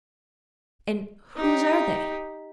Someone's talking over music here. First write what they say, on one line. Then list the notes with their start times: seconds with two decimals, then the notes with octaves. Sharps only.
"And whose are they?"
1.36 D#4 G4